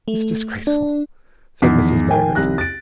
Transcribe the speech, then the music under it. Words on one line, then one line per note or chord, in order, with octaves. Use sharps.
"It's disgraceful," said Mrs. Baggert.
A3
D4
E2 D#3 F3 D#4 B6 C7
A#4 G5 G#5
C2 F#6 A#6
A6 D7